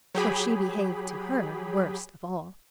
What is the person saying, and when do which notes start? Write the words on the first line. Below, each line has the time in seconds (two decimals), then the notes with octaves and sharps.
For she behaved to her worst of all.
0.15 F#3 G4 G#4 B5